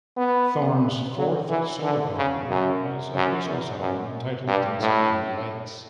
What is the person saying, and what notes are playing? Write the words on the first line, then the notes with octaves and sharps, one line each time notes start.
Thorn's fourth solo album was a Christmas album entitled "Tinsel and Lights".
B3
F#3
E3
D3
C#3
F#2
F#2
E2
F#2
G2
A2